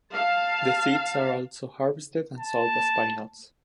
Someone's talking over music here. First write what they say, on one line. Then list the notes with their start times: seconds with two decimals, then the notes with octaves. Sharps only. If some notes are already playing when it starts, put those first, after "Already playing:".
The seeds are also harvested and sold as pine nuts.
0.14 F5 A5
2.39 A5